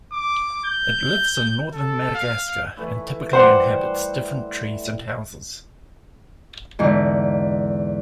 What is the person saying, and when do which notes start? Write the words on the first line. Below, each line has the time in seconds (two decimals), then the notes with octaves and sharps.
It lives in northern Madagascar and typically inhabits different trees and houses.
0.12 D6
0.64 G6
1.73 A4
2.15 F5
2.77 E3 A3 E4
3.33 G3 C5 F#5 D6
6.79 E2 G#2 D3